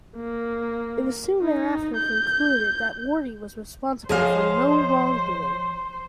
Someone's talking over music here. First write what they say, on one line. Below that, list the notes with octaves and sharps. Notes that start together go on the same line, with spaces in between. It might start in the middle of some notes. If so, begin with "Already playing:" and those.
It was soon thereafter concluded that Wardy was responsible for no wrongdoing.
A#3
D#4
G6
F3 G#4 C5 C#5 D#5 F5 G#5